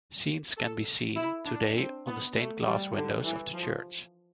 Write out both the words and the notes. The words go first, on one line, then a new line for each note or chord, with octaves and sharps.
Scenes can be seen today on the stained glass windows of the church.
A4
E4
D4
C4
B3
A3
G3
D3
E3
F3